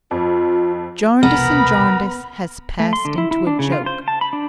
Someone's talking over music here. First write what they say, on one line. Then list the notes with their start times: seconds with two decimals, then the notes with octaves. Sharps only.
Jarndyce and Jarndyce has passed into a joke.
0.11 F2 F4
1.23 E1 C2 B3 A#4 B5
2.80 A3
2.93 C6
3.05 D3
3.18 E4
3.31 E4
3.47 D4
3.59 C#3
3.72 F4
3.86 C5
4.08 A5
4.21 B5
4.33 D4